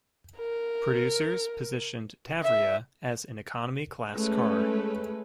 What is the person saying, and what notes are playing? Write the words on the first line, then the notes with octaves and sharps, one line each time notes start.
Producers positioned Tavria as an economy-class car.
A#4
E5
G#3 A3 C#4 B4